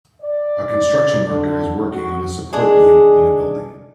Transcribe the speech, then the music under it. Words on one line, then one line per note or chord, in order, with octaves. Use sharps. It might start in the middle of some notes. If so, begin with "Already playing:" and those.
A construction worker is working on a support beam on a building.
D5
D3
F#4
G#3 D4 G#4